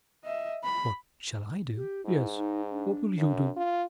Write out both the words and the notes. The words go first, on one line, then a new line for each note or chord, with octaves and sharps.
"What shall I do?"--"Yes; what will you do?"
D#5 E5
B5
G4
G#2 E4
D#4
D4
F#2
F4